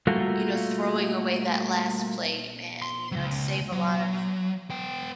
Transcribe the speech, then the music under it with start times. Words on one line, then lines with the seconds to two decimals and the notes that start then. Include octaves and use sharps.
you know, throwing away that last plate, man, you know, it'd save a lot of,
0.07 G3 A3 A#3 F4 F#4 A4
2.82 C6
3.12 C#2 F#3
3.72 F#3
4.70 B3 G5